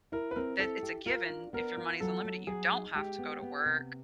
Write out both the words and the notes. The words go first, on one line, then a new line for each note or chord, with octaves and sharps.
that it's a given, if your money is unlimited, you don't have to go to work,
E4 A#4
B4
C4 A#4
E4 A4
G4
F4 A#4
D4
B3 A#4
F4
F#3 A4
F#3
F#3 G#4
D#4
G#3 G4
B3
B3
C3